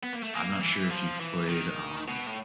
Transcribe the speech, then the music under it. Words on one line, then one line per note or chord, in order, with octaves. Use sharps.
I'm not sure if you've played, um,
B3
A#3
A3
A#3
E3
F3
E3
D#3
B2
A2